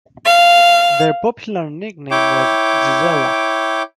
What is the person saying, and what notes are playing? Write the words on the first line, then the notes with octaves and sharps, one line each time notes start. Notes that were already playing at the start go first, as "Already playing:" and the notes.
Their popular nickname was "Gisela".
F5
E4 C#5 G5 D6